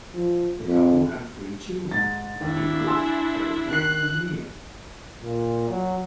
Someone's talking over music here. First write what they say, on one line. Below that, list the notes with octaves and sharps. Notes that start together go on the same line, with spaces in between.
The couple had three children: Ingrid, Erika, and Leo.
F3
F2
G#2 A6
D#2 D4 E4
G#5 C6 E6
D#3 F#6 C7
A#2
F#3